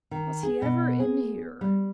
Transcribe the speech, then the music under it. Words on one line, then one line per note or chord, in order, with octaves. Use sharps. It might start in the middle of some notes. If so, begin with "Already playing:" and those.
"Was he ever in here?"
D#3
G#4
B2
G#4
G3